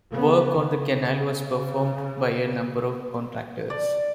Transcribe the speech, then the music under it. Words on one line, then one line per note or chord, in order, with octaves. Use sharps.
Work on the canal was performed by a number of contractors.
C#3 B3
C#3
D5